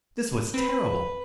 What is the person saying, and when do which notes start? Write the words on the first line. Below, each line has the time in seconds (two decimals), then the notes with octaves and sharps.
This was terrible!
0.54 C4 B4